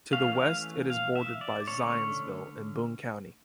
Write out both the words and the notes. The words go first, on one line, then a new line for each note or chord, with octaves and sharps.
To the west it is bordered by Zionsville in Boone County.
E3 A3 C#4 F5
F5
F5
E5
D5
D3 A3 C#4 C#5